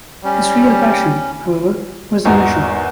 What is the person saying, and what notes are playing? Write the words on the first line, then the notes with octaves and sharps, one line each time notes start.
His real passion, however, was the mission.
G3 C#4
G#1 E2 D#4 F#4 A#5